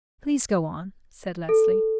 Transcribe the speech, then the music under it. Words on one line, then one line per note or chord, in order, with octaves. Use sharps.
"Please, go on," said Leslie.
A4